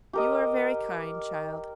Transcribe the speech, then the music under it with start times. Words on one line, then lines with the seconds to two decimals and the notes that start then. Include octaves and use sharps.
'You are very kind, child.
0.13 G4 A#4 D#5